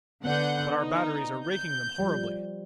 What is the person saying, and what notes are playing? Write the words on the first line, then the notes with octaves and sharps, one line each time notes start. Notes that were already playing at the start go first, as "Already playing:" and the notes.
But our batteries are raking them horribly.
D3 B3 D5 F#5 G6
D#4
G6
F3 G3